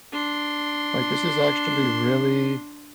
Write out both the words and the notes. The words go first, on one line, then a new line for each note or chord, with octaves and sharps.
like, "This is actually really,
D4 C6